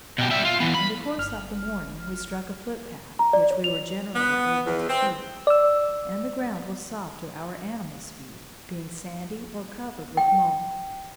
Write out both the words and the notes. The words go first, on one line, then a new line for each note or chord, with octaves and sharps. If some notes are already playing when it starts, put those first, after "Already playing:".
In the course of the morning we struck a foot path, which we were generally able to keep; and the ground was soft to our animals feet, being sandy or covered with mould.
B2 G4
G3 E5
F4
E3 B3
B5
G1 F6
A#5
D5
C#5
F7
B3
E2
C4
D5 E6
G5